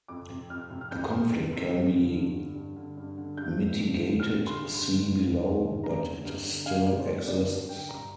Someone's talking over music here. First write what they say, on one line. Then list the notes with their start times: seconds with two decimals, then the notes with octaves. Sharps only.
The conflict can be mitigated-see below-but it still exists.
0.08 F2 D6
0.30 C3
0.50 F2 F6
0.70 C3
0.81 F6
0.91 F2 G6
1.11 C3
1.32 F2
1.53 C3
1.73 G2
1.94 D3
2.14 G2
2.34 D3
2.55 G2
2.76 D3
2.97 G2
3.18 D3
3.37 G2 G6
3.58 D3
3.78 G2
3.99 D3
4.20 G2 F6
4.40 D3
4.47 C6
4.60 G2
4.75 C6
4.81 D3
5.02 G2
5.23 D3
5.43 G2
5.63 D3
5.84 G2 A#5
6.04 D3
6.25 G2
6.45 D3
6.66 G2 F5
6.87 D3 D5
7.00 C5
7.07 G2 D5
7.28 D3 D5
7.48 G2
7.69 D3 G5
7.89 G2 A#5